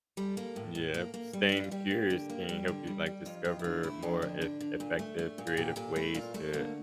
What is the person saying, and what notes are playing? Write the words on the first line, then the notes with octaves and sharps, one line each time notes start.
Yep, staying curious can help you, like, discover more eff effective, creative ways to
G3 A4
A#3
A2
A2
A#3
A#3
G3
D4
G3 E4
F4
G3 G4
A#3
D3
A#3
G3
D3
G3
G3
F2 F4
F2 F4
E4
D3 F4
A3 E4
F2 D4
D3
D3
D3
A#2
A3
A3
A#2
F4
A#2 G4
A#2 A4
A3 E4
A#2 F4
A3 A4
D3 A#3